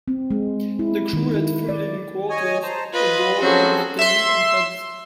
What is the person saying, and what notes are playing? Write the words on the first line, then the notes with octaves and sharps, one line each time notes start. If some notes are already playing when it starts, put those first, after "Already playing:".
The crew had full living quarters aboard with galley and heads.
C4
G#3
E4
D#3
E4
D5
C#5 D#5 G#5
C5 A5 A#5
F4 B4 D#5
F3 F#3 C4 C#4 F#4 G#4 A4 C5
E5 C6